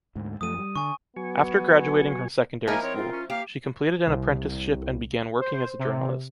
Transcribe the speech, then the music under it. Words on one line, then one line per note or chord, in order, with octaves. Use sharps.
After graduating from secondary school, she completed an apprenticeship and began working as a journalist.
D2 G#2
F#2 F3 A3 D#6 D#7
G3
D3 G#5 C#6
F#3 B3 G#5 C#6
F3 A#3 D#4 E4 A#4 G#5
C4 C#5
F4
C#4
A#3 G4 F5
C2
C5
C3